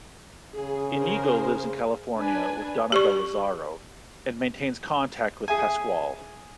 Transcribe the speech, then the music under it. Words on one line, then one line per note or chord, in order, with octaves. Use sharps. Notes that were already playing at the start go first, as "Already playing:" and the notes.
Inigo lives in California with Donabelle Lazaro, and maintains contact with Pascual.
C#3 G#4
G#4 A#4 C5
D4 B4 G#5
G4 D5 C#6
G#4 E5 G#5